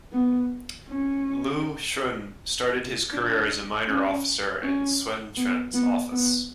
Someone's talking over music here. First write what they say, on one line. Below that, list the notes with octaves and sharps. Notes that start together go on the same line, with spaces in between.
Lu Xun started his career as a minor officer in Sun Quan's office.
B3
C#4
D4
C#4
C#4
B3
B3
B3